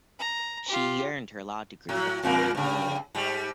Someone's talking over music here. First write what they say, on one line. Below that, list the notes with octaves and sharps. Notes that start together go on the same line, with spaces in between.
She earned her law degree the following year.
A#5
F4 G4
A2 F#3
E2 A#2 A#3
G2 C#3
G#2 G3